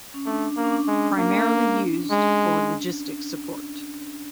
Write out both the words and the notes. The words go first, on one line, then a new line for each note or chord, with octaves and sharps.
Primarily used for logistic support.
C#4
A3 D4
A#3 D4
C#4
D4
G#3
A#3
G#3